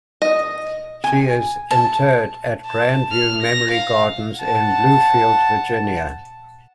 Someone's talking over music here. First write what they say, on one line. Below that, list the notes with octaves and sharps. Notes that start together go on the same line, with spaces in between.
She is interred at Grandview Memory Gardens in Bluefield, Virginia.
D#5
G#5
A5
A5
F6
A#6
F5
F#5 A5